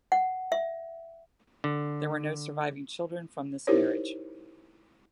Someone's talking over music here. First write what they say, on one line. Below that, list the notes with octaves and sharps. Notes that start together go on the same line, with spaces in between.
There were no surviving children from this marriage.
F#5
E5
D3
D#4 E4 G4 A#4 C5 C#5